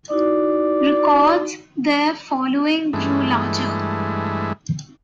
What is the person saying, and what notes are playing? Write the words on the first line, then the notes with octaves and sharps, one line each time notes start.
Records, their following grew larger.
D#4 E4 F#4 D5
G2 E3 G#3 A3